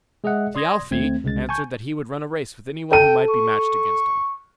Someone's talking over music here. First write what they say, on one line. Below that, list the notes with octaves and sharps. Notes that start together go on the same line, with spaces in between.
Thialfi answered that he would run a race with any one who might be matched against him.
G#3 G#4 D#5 E5 F#5
D5 C6 D#6 G#6 A#6
D#2 A3 C4 G#6
C2 C#3 G#3 A6
G#5 A5 C#6 G6
A4 G5 D#7
C#6